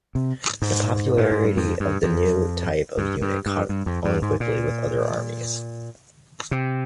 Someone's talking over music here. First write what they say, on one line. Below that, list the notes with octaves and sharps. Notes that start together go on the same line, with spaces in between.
The popularity of the new type of unit caught on quickly with other armies.
C3
G#2
A#2
G#2
G2
F2
G2
F2
G2
G2
G2
G2
F2
G2
G#2
A#2
C3